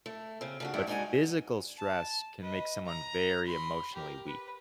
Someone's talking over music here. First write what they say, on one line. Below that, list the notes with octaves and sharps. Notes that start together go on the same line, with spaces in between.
but physical stress can make someone very emotionally weak,
A3
C#3 C4
C#3 D4 F#4
G2 G3 D4 E4 G4
G#3 D4 D#4 F#4 G#5
A5
B4 D#5
A#5
B5 C6
G4 A#4
B4